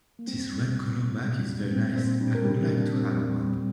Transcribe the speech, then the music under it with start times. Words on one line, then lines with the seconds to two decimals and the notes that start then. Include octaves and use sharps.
This red color bike is very nice, I would like to have one.
0.19 A#3
0.27 G3 C4
0.51 G3
0.76 A#2
1.00 A#2
1.24 G3
1.48 G3
1.73 A#2 C4
1.96 A#2 C4
2.20 G3 D4
2.35 A#4
2.45 G3 G4
2.69 A#2 D4
2.93 A#2 C4
3.17 G3
3.41 G3